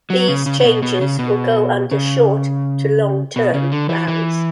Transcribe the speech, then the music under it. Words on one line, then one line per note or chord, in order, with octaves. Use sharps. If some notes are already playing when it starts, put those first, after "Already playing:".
These changes will go under short to long term plans.
F#3
C#3
C#3
C#3
B2
B2
C#3
B2
C#3
B2
C#3
D3
E3
E3